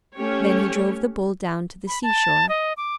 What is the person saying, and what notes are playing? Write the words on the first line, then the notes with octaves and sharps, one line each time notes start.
Then he drove the bull down to the seashore.
A3 C#4 G4 C#5
B5
A5
D#5
D6